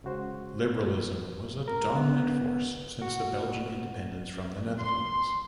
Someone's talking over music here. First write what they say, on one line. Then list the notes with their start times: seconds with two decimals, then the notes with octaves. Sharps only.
Liberalism was a dominant force since the Belgian independence from the Netherlands.
0.04 C#3 G#3 F#4 C5
1.68 A#4
1.96 B3
3.02 F#4
4.79 C6